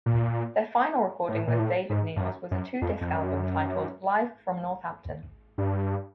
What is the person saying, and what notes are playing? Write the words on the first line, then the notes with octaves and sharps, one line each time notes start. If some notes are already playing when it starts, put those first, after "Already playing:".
Their final recording with David Nields was a two-disc album titled "Live From Northampton".
A#2
A2
A#2
A2
G#2
G2
F#2
F#2
F2
F2
F#2
G2